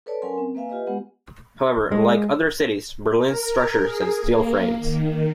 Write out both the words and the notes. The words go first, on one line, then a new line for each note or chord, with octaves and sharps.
However, unlike other cities, Berlin's structures had steel frames.
A4 B4 C#5 D5 A5
F#3 C#4 A#4 G#5 C6
C4
A#3 B4 E5 F5 G#5
F4 G4 B4 D#5
G#3 B3 G4 F#5
G#3
A#4
G#4
A#3
D#3